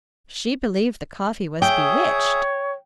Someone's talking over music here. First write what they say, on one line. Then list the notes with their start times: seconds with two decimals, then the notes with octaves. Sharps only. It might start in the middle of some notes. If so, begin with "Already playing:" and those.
She believed the coffee was bewitched.
1.62 G#4 C#5 E5 G5 D#6